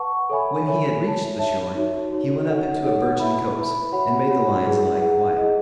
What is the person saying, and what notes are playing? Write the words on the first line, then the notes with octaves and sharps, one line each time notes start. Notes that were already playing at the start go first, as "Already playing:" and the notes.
When he had reached the shore he went up into a birchen copse, and made the lions lie quiet.
Already playing: B4 F#5 A5 C#6
A4 C#5 E5 G#5 B5
A4 C#5 E5 G#5 B5
C#5 E5 A5
C#5 E5 A5
D#4 F#4 C#5
D#4 F#4 C#5
D#4 A4 C#5 F#5
D#4 A4 C#5 F#5
E4 B4 E5 B5
E4 B4 E5 B5
F#4 C#5 F#5 B5
F#4 C#5 F#5 B5
E4 G#4 B4 F#5
E4 G#4 B4 F#5
E4 G#4 D#5